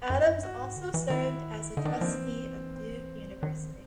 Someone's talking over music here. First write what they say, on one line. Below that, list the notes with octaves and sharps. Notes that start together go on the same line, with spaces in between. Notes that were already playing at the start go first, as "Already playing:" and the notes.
Adams also served as a trustee of Duke University.
F#2
G2
F#2
G2 F#4
G#2
D3
E3
D#3 E4
D3 D#4
D#3 D4
A#3
F3 C4
E3
C4
D#3